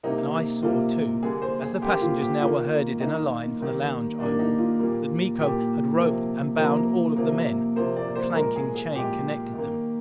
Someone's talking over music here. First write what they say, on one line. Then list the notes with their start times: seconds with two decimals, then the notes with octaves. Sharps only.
And I saw too, as the passengers now were herded in a line from the lounge oval, that Miko had roped and bound all of the men, a clanking chain connected them.
0.03 C3 G3 A#3 D#4
0.63 C3 G3 A#3 F4
1.22 D3 G3 A#3 G#4
1.42 C5
1.62 G#4
1.82 D3 G3 A#3 G4
2.01 F4
2.21 G4
2.41 D#3 A#3 F4
3.00 D#3 A#3 D#4
3.61 D#3 G3 A#3
4.19 D#3 G3 A#3 D4
4.39 D#4
4.58 F4
4.79 A#2 G3 A#3
5.39 A#2 G3 A#3 G4
5.98 C3 F3 A#3
6.57 C3 F3 A#3 A#4
7.16 C3 F3 A#3
7.76 C3 F3 A#3 C5
7.96 D5
8.15 C5
8.35 A#2 G#3 A#4
8.56 G#4
8.75 G#4
8.94 A#2 G#3 G4
9.54 D#3 A#3